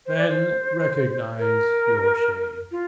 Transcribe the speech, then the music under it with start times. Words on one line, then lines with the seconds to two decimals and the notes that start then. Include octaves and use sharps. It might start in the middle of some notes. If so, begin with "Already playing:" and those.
Then recognize your shame.
0.06 C5
0.17 D5
0.29 C5
1.39 A#4
2.71 F4